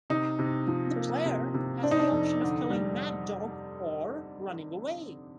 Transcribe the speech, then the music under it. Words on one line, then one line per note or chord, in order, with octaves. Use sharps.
The player has the option of killing Mad Dog or running away.
C3 D#4
C3
F3
A#3
C3
C3
C4 D4
D#4
D4
F2
D3
G3